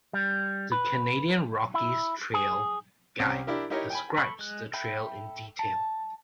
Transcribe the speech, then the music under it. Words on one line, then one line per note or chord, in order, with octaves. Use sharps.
"The Canadian Rockies Trail Guide" describes the trail in detail.
G3
B4
E4
G#4
C2 C4 C#4 A#5 F6
D4 E4 G4 A#4
D#4 E4 G4 A#4 C#5 D#5
G5 G#5 B5
A4 B5 C#6
G#3 F#6
A4 E5 G5 B5 G6
A5